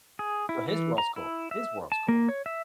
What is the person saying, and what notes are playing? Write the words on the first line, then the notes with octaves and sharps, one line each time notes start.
So his world's cool. His world's cool.
G#4
E4
E3
A#5
E4
E5
A5
A#3
C#5
E5